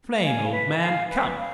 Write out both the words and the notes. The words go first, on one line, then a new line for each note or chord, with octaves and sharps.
"Flame, old man! come!"
F5 G#5
B4
F5 G#5
B4
F5